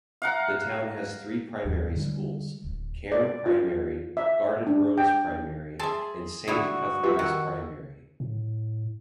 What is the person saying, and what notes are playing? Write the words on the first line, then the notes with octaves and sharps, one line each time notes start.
The town has three primary schools: Cairn Primary, Gardenrose Primary and Saint Cuthberts Primary.
F5 F#5 A#5
D#2 G#2 F3
D3 G3 G#3
D1
D5
F4
E5
D4
G5
G#4 E5 A5 C6 E6
D3 G3 E4 F#4 D#6
F#2 G3 F4 G4 B4 E5
D#3 F#5 E6
A2